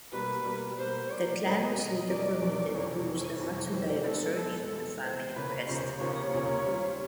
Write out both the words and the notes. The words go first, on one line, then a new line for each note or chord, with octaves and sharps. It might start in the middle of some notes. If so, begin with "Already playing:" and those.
The clan was later permitted to use the "Matsudaira" surname and to family crest.
B2 G3 A#3 B4
B2 G3 A#3
B2 G3 A#3 C5
B2 G3 A#3 D5
E2 B2 G3 A#3 C#4 D#5
E2 B2 G3 A#3 C#4 D#5
E2 B2 G3 A#3 C#4 D5
E2 B2 G3 A#3 C#4
F2 C3 E3 C#5
F2 C3 E3
F2 C3 E3
F2 C3 E3 C5
E3 G#3 B3 A4
E3 G#3 B3 A4
E3 G#3 B3
E3 G#3 B3 C5
D#2 C#3 F3 A#3 C#4 B4
D#2 C#3 F3 A#3 C#4 C5
D#2 C#3 F3 A#3 C#4 C#5
D#2 C#3 F3 A#3 C#4
G3 C4 F4